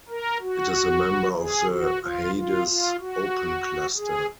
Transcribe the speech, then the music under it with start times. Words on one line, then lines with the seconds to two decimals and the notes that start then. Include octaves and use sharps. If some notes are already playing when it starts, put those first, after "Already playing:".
It is a member of the Hyades open cluster.
0.09 A#4
0.41 F#4
1.38 G#4
1.70 F#4
2.03 F4
2.35 F4
2.67 F4
2.99 F#4
3.97 G#4